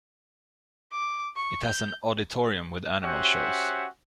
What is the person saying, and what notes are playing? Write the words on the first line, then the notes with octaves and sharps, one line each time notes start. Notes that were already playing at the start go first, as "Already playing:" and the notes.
It has an auditorium with animal shows.
D6
C#6
G6
C#4 F#4 G4 C5 E5 F#5